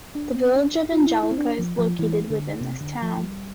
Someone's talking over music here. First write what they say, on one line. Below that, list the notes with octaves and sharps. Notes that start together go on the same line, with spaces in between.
The village of Angelica is located within this town.
D4
C4
D4
F4
E4
E4
C4
D4
F3
F3
E3
D3
C3
D3
F3
F3
G3